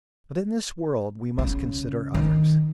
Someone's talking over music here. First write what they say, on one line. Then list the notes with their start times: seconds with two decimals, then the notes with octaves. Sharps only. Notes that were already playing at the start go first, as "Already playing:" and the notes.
But, in this world, we must consider others.
1.38 C#3
2.14 D#3